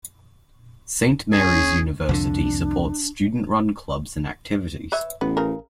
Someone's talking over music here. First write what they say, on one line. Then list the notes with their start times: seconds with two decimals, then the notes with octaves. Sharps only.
Saint Mary's University supports student-run clubs and activities.
1.33 C#4 G#4
2.09 C2 F2 D3 D4
4.92 B4 C#5 E5
5.21 A1 B3
5.37 C#3 A#4